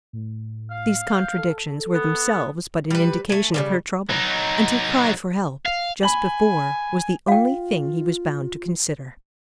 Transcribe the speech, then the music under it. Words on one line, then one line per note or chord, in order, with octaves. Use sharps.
These contradictions were themselves but an indication of her trouble, and her cry for help, just before, was the only thing he was bound to consider.
A2
F5
G6
A4
B3
G3 B4
A3 G#5
C#3 E3 G3
F#3 D#4
F5
G#5 B5 F#7
F4 F5 G5